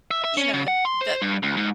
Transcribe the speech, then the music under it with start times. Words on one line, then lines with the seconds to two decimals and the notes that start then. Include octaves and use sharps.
you know, that
0.11 E5
0.24 E5
0.37 C#4
0.54 C#3
0.68 F#5
0.85 C6
1.01 C5
1.22 G2
1.43 C#2
1.57 G#2